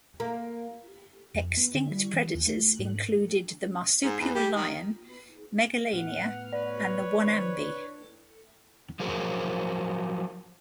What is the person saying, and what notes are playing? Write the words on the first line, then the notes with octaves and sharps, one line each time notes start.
Extinct predators included the marsupial lion, Megalania, and the wonambi.
A#3
F2
B3
D3
G3
E3
D#2
A3
G#2
G#2
E2
G3
D#3
A2 B3 F#5 F6
B4 C#5 D5
D#3 C4
D4
F3 F#3 G#4 A#4 C5